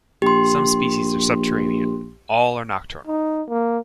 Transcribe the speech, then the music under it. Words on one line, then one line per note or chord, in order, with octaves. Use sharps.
Some species are subterranean; all are nocturnal.
A#1 G4 C6
D#4
A#3